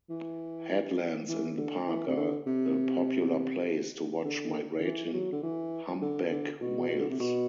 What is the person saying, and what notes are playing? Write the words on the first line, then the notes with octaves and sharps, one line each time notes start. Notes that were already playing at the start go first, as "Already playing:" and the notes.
Headlands in the park are a popular place to watch migrating humpback whales.
E3
E3
D3
E3
C3
D3
C3
D3
D3
E3
E3
F#3
D3
E3
D3
D3
B2
D3
C3
B2